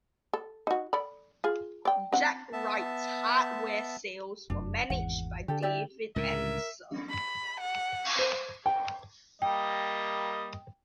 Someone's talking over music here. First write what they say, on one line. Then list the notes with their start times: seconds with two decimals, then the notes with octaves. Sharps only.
Jacq-Rite's hardware sales were managed by David Ensor.
0.33 A4
0.67 D#4 F#4
0.93 A4 D5 B5
1.44 F4 G#4
1.85 D5 G5
2.12 C4 F#5
2.53 B3 E5 A5
4.50 F1 F#2 D4
4.90 G#1 E2 F#5
5.48 D3 G4 A4
5.62 E4 G4 D5
6.16 C#2 A2 D3 A#4 E5
7.10 B5
7.60 F#5
8.19 C5
8.66 G5
9.42 G3 A#3 D#5 G5